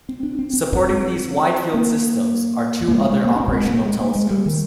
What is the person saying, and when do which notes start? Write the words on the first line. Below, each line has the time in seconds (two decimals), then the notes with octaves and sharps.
Supporting these wide field systems are two other operational telescopes.
0.09 C4
0.23 D4
0.39 C4
0.53 C4
1.74 A#3
2.88 A#3
2.95 G#3
3.10 G#3
3.25 A#3
3.36 D4
3.40 C4
3.55 G#3
3.70 A#3
3.85 G#3
4.00 A#3
4.15 G#3
4.31 G3
4.46 D#3